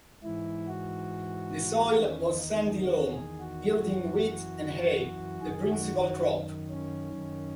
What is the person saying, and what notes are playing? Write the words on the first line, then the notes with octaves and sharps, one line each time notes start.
The soil was sandy loam, yielding wheat and hay, the principal crop.
G#2 E3 E4
F#4
E2 D#3 C#4
D#4
D#4
F#4
G#4
F#4
F#2 E3 F#4
F#2 D#3 G#4
F#4
F#4
C#4
F#2 D#3